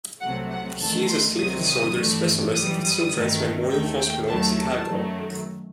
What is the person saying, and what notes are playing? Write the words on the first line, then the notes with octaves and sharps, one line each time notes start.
He is a sleep disorders specialist at the Children's Memorial Hospital in Chicago.
C2 C3 F#3 A3 F#5
F#5
E2 D#3 A3 A5
C6
C2 C3 D#3 F#3 D#6
D#6
G2 E3 A3
F#2 E3 G3 D#6
D#6
G2 D#3 A3
D#2 D#3 A3 G5
G5
D#2 D#3 F#3 A3 A5
A5
F#2 D#3 F#3 A3